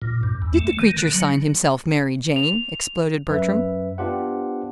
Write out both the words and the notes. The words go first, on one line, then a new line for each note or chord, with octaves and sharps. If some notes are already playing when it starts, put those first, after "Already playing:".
"Did the creature sign himself 'Mary Jane'?" exploded Bertram.
A#2
G2
E2
A3
D#3
D3
F#3
F7
F#2 B4 E5
B3 D4 F4 G4 C5 F#5